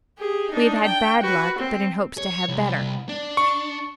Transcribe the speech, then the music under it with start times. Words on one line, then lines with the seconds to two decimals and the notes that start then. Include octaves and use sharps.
We have had bad luck, but in hopes to have better.
0.18 G4 G#4
0.50 D4 D#4
0.83 G5
1.22 F#4 B4
1.58 C4
2.18 C#5
2.48 C2
3.09 D4
3.37 C#6